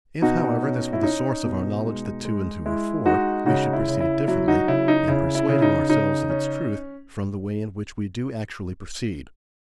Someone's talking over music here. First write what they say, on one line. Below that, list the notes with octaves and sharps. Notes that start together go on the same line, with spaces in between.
If, however, this were the source of our knowledge that two and two are four, we should proceed differently, in persuading ourselves of its truth, from the way in which we do actually proceed.
B2 D#4 F#4
C#4
E4
C#4 D#4
B2
G#3
G#3
G#3 E4
G#3 D#4 F#4
C#3 D#4 F#4
E4
C#3
E4
F#3 E4
D#4 F#4
C#3 E4
D#4
C#3 E4
E4
C#3
D#4
C#3 D#4
C#4